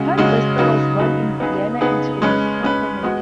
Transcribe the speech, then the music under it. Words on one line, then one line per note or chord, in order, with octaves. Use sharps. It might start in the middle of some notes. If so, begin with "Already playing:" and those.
Hornbostel was born in Vienna into a musical family.
Already playing: C#3 G#3 C#4 F#4
C#3 G#3 C#4 F#4
C#3 F#3 D#4 B4
C#3 F#3 D#4 B4
C#3 B3 D#4 G#4 B4
C#3 B3 D#4 G#4 B4
G#3 C#4 B4
G#3 C#4 B4
G#3 B3 F#4